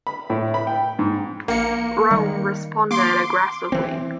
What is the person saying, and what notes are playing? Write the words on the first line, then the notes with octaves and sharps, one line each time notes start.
Rome responded aggressively.
B5
A2
B5
G5
G#2
A#1 A#3 F5 C#7
D#3 G3
A#3 C6 D6
E3 C4